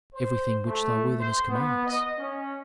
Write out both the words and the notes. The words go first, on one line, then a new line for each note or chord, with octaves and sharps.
"Everything which thy worthiness commands."
C5
A3
C5
B3
D#5
C#4